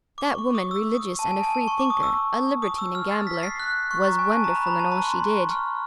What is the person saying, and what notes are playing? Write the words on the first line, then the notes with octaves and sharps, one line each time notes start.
That woman, religious and a Free-thinker, a libertine and gambler, was wonderful in all she did.
D6
C#6
D6
D#6
E6
D#6
A5
G#5
A5
A5
C#6
D6
D#6
E6
D#6
E6
F6
A6
B6
C7
F#6
C#6
A#5
G#5
A5
A#5
B5
A#5
A5
A#5
C6
C6
C#6
F6